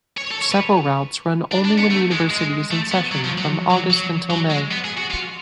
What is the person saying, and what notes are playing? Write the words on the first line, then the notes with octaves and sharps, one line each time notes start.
Several routes run only when the university is in session from August until May.
C#5
A4
C#5
B4
D4
D4
B3
A3
G#3
G#3
A3
B3
F#3
F3
F#3
F#3
F#3
F#3
G#3
B3
G#4
F#4
F4